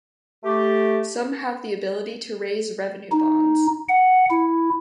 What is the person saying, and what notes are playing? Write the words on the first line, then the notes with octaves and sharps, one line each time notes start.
Some have the ability to raise revenue bonds.
A3 G4
D#4
F#5
E4